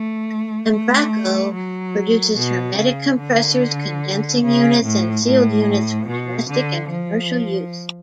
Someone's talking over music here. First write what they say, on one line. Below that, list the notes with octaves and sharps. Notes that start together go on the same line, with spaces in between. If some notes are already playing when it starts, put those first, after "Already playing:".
Embraco produces hermetic compressors, condensing units and sealed units, for domestic and commercial use.
Already playing: A3
A3
F#3
B2
C#3
D3
C#3
A2
A2
B2
D3
F3